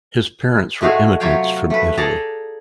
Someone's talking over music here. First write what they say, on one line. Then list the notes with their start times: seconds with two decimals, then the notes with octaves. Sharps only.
His parents were immigrants from Italy.
0.81 G#3 A3 F#4 G#4 F5
1.20 C3 F#3 F4 C#5 F5 G5
1.70 A3 B4
1.97 G#4 A4 D5 A#5